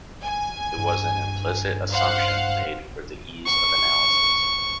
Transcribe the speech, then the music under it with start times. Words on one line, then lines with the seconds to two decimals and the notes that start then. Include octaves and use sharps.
It was an implicit assumption made for the ease of analysis.
0.23 G#5
0.77 G2
1.90 C5 F5 F#5
3.46 C#6